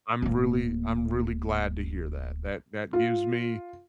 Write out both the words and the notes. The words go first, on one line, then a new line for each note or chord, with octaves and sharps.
I'm really I'm really glad to hear that. That that gives me
D1 A#3
F4